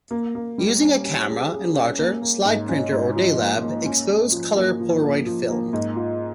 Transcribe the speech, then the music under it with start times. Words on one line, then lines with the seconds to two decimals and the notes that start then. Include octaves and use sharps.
Using a camera, enlarger, slide printer or Day Lab, expose colour Polaroid film.
0.11 A#3
0.35 A#3
0.58 G3
0.81 C#4
1.04 C#4
1.28 G#4
1.52 G#4
1.75 C#4
1.98 A#3
2.22 A#3
2.45 G#2
2.69 C#4
2.93 G#2
3.15 F3
3.39 A#3
3.63 A#3
3.86 C#4
4.09 C#4
4.32 F3
4.56 A#3
4.80 F3
5.03 A#3
5.26 F3
5.50 A#3
5.73 G#2
5.96 F4